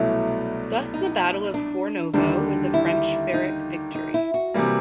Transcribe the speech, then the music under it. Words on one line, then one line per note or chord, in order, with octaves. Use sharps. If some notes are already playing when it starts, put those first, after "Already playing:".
Thus, the battle of Fornovo was a French pyrrhic victory.
Already playing: C2 B2 F#3 A3 E4
D#4
D4
D#2 D3 G3 D4
E4
D#4
D#4
E4
F#4
C3 E3 G3 A#3